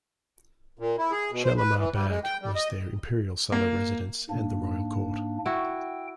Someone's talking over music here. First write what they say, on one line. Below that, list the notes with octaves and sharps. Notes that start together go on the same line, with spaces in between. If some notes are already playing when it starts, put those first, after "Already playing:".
Shalimar Bagh was their imperial summer residence and the Royal Court.
A#2
E4
G#4
B2
C5
B4
E3
G3
G#3
G5
G3
D#5
A#3
G#2 A#3 D4
E4 F#4 G5